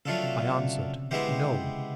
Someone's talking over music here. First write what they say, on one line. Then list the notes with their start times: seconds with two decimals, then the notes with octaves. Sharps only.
I answered, No.
0.05 C#3 F#3 A3 D4 F4 A4
0.23 C3
0.41 B2
0.50 C3
0.59 C#3
1.11 D3 G#3 B3 E4 G4 C5
1.29 C#3
1.45 C3